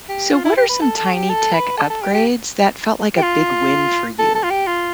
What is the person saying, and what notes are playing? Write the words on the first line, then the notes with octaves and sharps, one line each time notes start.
So, what are some tiny tech upgrades that felt like a big win for you?
G4
F4
E4
G4
B4
A4
A4
G4
A4
B4
A4
A4
G4
G4
G4
F4
A4
A4
F4
G4
F4